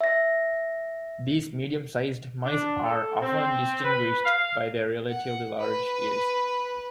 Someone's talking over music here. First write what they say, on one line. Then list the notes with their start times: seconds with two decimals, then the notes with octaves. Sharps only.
These medium-sized mice are often distinguished by their relatively large ears.
0.01 E5 A#6
2.46 D4
2.84 A4
3.21 C4
3.84 B4
4.25 F5
5.10 F#5
5.58 B4